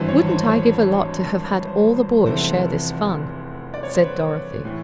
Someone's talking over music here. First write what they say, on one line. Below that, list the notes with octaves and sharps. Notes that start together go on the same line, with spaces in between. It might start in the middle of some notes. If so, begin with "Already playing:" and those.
"Wouldn't I give a lot to have had all the boys share this fun," said Dorothy.
Already playing: G#1 G2 E3 C5
C#5
C5
C#5
C5
C5
F1 E2 C3 E3 A3 C5
D5
C#5
C5
B4
A2 E3